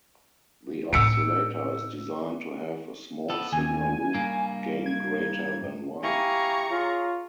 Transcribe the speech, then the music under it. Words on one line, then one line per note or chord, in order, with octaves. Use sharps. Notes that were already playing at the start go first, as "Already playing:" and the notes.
The oscillator is designed to have a small-signal loop gain greater than one.
A2 C4 E6 C#7 D7
B3 A4
D#2 G#5
G2 A#3
G#6
E4 G4 F5 G#5 A#5 C#6
F4 G#4 C#5